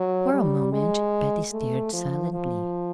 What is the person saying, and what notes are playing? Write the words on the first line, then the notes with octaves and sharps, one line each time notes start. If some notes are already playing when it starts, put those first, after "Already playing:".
For a moment Patty stared silently.
Already playing: F#3
G3
G#3
A3
F3
F3